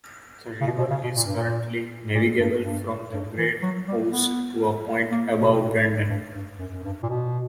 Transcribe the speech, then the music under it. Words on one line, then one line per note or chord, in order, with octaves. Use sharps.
The river is currently navigable from the Great Ouse to a point above Brandon.
C#3
B2
B2
C#3
B2
A#2
G2
A#2
A#2
G2
G2
G2
E3
F#3
G3
B3
A#3
B2
G2
G2
F#2
F#2
G2
A#2
B2